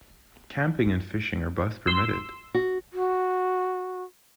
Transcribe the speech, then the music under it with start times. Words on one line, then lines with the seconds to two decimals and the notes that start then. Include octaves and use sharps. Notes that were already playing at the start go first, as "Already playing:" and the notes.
Camping and fishing are both permitted.
1.87 C6 E6
2.54 F#4
2.93 F#4